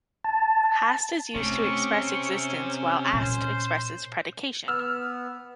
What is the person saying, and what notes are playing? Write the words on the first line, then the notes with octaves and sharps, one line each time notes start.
"Hast" is used to express existence while "ast" expresses predication.
A5
C3 A3 C#4 C#6
A#2 C5
B3 E6 F6